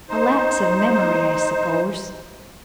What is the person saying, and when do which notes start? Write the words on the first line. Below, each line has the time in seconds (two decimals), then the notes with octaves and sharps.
A lapse of memory, I suppose.
0.09 D#4 C5